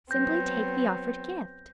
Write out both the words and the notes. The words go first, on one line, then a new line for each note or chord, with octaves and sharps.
"Simply take the offered gift."
F#3 B3 C4 G6 A#6